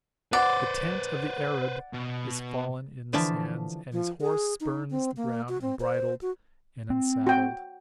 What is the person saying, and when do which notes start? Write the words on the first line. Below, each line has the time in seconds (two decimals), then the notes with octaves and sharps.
The tent of the Arab is fallen in the sands, and his horse spurns the ground unbridled and unsaddled.
0.33 B4 C5 D5 F#5
1.93 B2
3.13 D3 E3 F3 E5 A5
3.92 F3
4.21 G#4
4.61 D#4
4.91 C4
5.17 A#3
5.49 F#4
5.62 C4
5.80 C5
6.22 F#4
6.90 C4
7.27 F#4 G5